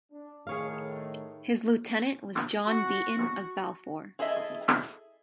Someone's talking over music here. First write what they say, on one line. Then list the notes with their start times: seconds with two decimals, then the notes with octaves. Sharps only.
His lieutenant was John Beaton of Balfour.
0.12 D4
0.47 A2 D#3 G#4 C#5 F5
2.66 F#4
4.19 E4 G#4 A4 D#5 E5